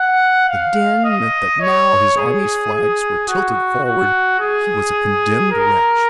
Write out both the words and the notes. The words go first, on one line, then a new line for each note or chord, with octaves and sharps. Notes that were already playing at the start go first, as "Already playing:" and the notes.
If the din meant that now his army's flags were tilted forward he was a condemned wretch.
Already playing: F#5
F5
D#5
C#5
G#4
G#4
F#4
F#4
G#4
A#4